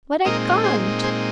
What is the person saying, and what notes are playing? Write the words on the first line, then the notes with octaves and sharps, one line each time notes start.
But I can't.
A#2 G#3 C4 D#4 A#4 D#5
G#4 C5
G#4 C5